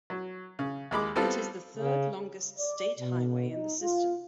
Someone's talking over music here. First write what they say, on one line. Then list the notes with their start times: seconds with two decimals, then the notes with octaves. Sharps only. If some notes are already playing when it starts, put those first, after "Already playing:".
It is the third-longest state highway in the system.
0.10 F#3
0.59 C#3
0.91 D#2 G#3 B5 D6
1.16 G3 B3 C4 F4 A4
1.77 C#3
2.59 D5
2.99 B2
3.49 D#4
3.81 F4